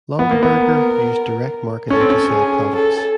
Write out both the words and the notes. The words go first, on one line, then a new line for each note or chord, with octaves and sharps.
Longaberger used direct marketing to sell products.
B3 A#4
A#3
B3
C#4 A4
C4
C#4
G#4
A4